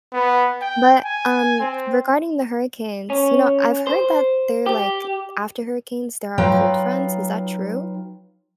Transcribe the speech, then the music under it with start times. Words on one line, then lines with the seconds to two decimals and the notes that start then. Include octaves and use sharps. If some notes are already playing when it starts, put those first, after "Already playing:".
but, um, regarding the hurricanes, you know, I've heard that they're like after hurricanes there are cold fronts, is that true?
0.13 B3
0.62 G5
1.05 G#5
1.60 C4
3.10 C#4
3.87 C5
4.66 G4
6.38 F#3 D#4 F4 B4 G5